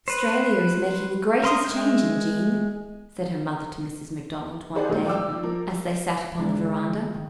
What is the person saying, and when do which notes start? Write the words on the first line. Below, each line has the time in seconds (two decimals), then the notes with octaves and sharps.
"Australia is making the greatest change in Jean," said her mother to Mrs. McDonald one day, as they sat upon the veranda.
0.08 B4 C5
1.44 A#4 C6 D#6
1.65 G#3 E5 G6
4.75 G4 G#4 C5 D5 F#5 G#5
4.88 G2 A#2 D#3 F#3 G#3
5.05 D5 G5 D6 E6
5.28 D#3 F3
5.43 F3 A#4
6.39 G#2 D3 G#3 B3 D4 A#5
7.14 D#3